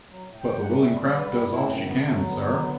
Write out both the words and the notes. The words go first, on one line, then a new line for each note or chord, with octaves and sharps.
"But the willing craft does all she can, sir."
F#3
A2
A2 G5
A2 F#5
G3
E5
G3
G3 D5
G3 B4
A2 G4
A2 E4
F#2 C4
D3 B3
D3
A3
F#3
D3 B3
F#3
D3